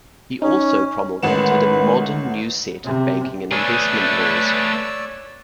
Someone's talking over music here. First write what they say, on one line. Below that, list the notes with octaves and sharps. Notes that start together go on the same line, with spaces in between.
He also promulgated a modern new set of banking and investment laws.
C#4 D#4
A1 D#3 G#3 B4 F#5 E7
C3
A3 G#4 B4 C#5 D5 E6